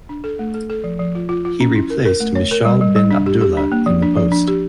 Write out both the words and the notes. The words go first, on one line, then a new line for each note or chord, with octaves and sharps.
He replaced Mishaal bin Abdullah in the post.
D4
A4
A3
A4
A4
F3
F3
F4
F4
F4
C#4
E4
A#4
A#4
A3
C#5
A#4
G3
G3
G3
D4
G4
G4
D4
A#3
F3
D4
F3
D4
G4